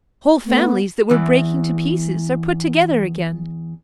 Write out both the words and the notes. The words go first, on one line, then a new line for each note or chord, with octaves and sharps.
Whole families that were breaking to pieces are put together again.
A3 B3
E2 E3